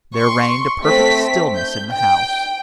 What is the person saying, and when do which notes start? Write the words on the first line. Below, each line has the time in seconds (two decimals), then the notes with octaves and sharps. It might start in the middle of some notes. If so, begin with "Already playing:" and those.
There reigned a perfect stillness in the house.
0.14 C6 C#6
0.82 A3 C4 B6
1.55 G6
1.90 G5